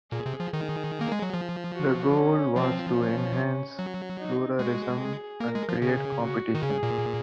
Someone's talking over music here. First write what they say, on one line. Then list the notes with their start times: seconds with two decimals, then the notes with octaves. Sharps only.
The goal was to enhance pluralism and create competition.
0.12 A#2 G#4
0.26 C3
0.40 F3
0.53 D#3 G#4
1.01 A#3
1.12 G#3
1.22 F#3
1.34 F3
1.75 F#4
2.16 C#4
2.56 F3 C4
2.97 C#4
3.79 F#3
4.19 D#4
4.59 G#3 F#4
5.00 G#4
5.40 A#3 A#4
5.55 G#3
5.69 F3
5.82 C#3 G#4
6.23 F#4
6.54 D#3
6.63 C#3 G#4
6.83 A#2